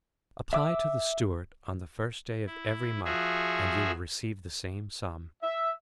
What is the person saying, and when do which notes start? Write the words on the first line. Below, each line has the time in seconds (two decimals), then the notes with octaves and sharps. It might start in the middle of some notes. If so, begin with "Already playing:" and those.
"Apply to the steward on the first day of every month, and you will receive the same sum."
0.53 E5 D6 E6
2.47 E4
3.05 F3 F#4 G#4 E5
5.42 E5